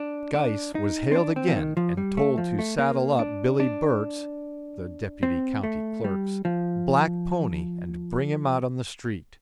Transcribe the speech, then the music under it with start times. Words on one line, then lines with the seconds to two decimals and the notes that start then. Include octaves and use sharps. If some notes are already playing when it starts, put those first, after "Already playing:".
Geiss was hailed again and told to saddle up Billy Burt's, the Deputy County Clerk's, black pony and bring him out on the street.
Already playing: D4
0.34 D4
0.75 D#4
1.12 C4
1.15 D4
1.36 C4
1.49 F3
1.56 D#3
1.77 F3
1.97 G3
2.17 A3
2.38 F3
2.59 A3
2.78 A#3
3.19 D4
3.60 D4
5.23 C4
5.63 A3
6.04 G3
6.45 F3